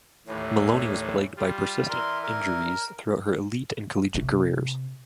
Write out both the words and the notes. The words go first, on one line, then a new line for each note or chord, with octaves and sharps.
Maloney was plagued by persistent injuries throughout her elite and collegiate careers.
D#2 A2 E3 C#5
G3 F4 G4
E3 A#4 D5 C6
A#4
C3